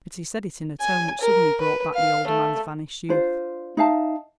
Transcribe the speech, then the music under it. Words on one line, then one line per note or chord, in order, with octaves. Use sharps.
But he said it in a tone which suddenly brought back the older man's vanished youth.
G#5
A#4
B4
F5
A3
D4 F4 C5
D#4 E5 F5 A5